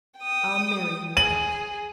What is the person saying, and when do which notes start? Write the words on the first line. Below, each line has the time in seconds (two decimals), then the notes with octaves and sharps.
I'll marry you, Ralph!...
0.19 G5 D#6
1.17 G#4 D#7 F#7